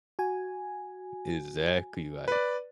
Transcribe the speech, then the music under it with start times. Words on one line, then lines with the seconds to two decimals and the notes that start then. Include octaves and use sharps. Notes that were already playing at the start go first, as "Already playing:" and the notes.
Exactly, like
0.19 F#4 G#5
2.28 B4 D5